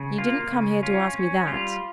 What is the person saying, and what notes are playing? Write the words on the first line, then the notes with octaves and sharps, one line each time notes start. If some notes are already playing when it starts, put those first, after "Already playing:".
You didn't come here to ask me that.'
Already playing: C#3
A#3 F4
C#3
C#4 F4
C#4
G3 F4